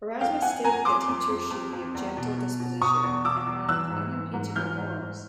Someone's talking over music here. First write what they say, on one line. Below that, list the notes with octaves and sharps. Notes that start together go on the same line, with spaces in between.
Erasmus stated that teachers should be of gentle disposition and have unimpeachable morals.
F2 F5 G5
F2 F#5 G#5
F2 G#5 A#5
F2 C6 D6
F2
F2
F2
F2
E2
B2
B2
B2
B2 C#6 D#6
E2
B2 D6 E6
E2
E3 E6 F#6
G#2
E3
G#2
E3 F6 G6
G#2
G#2